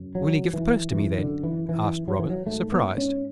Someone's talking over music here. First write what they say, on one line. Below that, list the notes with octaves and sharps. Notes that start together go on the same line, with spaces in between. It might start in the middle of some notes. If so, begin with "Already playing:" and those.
"Will he give the purse to me, then?" asked Robin, surprised.
Already playing: F#2 C#3
F#3
E3
F#2 D3 E3
D3
E3
E3
F#3
E3
F#3
G#2 A3
B3
C#4